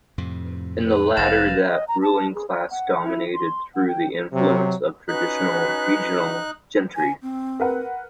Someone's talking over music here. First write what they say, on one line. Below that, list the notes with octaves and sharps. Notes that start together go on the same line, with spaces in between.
In the latter, that ruling class dominated through the influence of traditional regional gentry.
F2 A2 C3
B4
F1 F2 B4 F5 A6 A#6 E7
D#5
A#5
A5
G#4
D5
F#5
E4
C6
F#5
G5
C3 F#3
C#4 D#4 F#4 B4 F#6
G#5
C4
A#4 B4 F#5